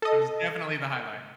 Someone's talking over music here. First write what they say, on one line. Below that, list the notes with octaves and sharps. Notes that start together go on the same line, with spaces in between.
That was definitely the highlight.
A4 D#5